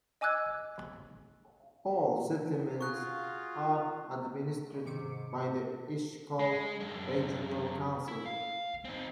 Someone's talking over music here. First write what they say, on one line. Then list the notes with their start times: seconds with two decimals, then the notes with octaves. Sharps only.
All settlements are administered by the Eshkol Regional Council.
0.21 D#5 G#5 D6 E6 F#6 G#6
2.81 F4 F#4 G#4 C#6 F#6
4.85 G#2 C3 D#3 D6 C#7
6.39 G#3
6.80 F#2 D4
8.08 E4
8.26 F5
8.85 C4 D#4